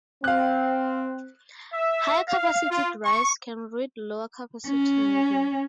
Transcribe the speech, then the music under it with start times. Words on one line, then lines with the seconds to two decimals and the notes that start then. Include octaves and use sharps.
Higher-capacity drives can read lower-capacity media.
0.24 C4 F5 F#6
1.71 E5
2.28 F5
2.71 F4
3.02 C#6
4.67 C#4